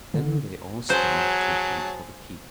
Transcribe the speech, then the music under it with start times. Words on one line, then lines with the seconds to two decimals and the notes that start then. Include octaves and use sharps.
Then they all started to hunt for the key.
0.14 D3
0.90 F#3 G#4 C5 A5